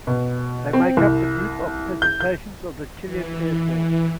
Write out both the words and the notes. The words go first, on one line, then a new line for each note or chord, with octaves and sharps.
They make up the Group of Presentations of the Chilean Air Force.
B2
C4
C2
G6
G6
E3